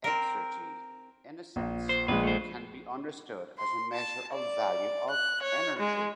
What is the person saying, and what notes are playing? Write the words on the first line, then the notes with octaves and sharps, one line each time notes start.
Exergy in a sense can be understood as a measure of value of energy.
C4 A#4
A#1
C5
A#1 G#3 B4
A3 C5
C6
A5
D5
F#6
C#5
G#3